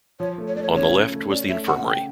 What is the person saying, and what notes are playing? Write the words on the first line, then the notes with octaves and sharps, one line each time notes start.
On the left was the infirmary.
F3 C#5
A3
C#5
A3 D5
C#5
C#3 C#5
C#3
A3
C#4 D5
A3 E5
C#3 F#5
C#3 G5